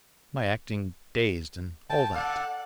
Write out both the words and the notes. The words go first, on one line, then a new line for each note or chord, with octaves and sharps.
"My acting dazed and all that?"
G5 A5
A4 D5 F#5 A5